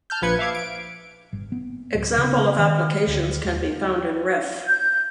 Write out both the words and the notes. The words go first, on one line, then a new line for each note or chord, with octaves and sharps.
Example of applications can be found in Ref.
A5 F6 G6
A#1 F3 B4 G#6 C#7
E5 F5 D6 G#6
D7
G1
B3
D1
C#3
D#3
D2
D#2
G6